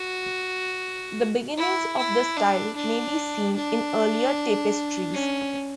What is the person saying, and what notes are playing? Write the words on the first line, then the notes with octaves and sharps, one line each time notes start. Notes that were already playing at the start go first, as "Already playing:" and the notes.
The beginnings of the style may be seen in earlier tapestries.
Already playing: F#4
E4
E4
D4
D4
D4
C#4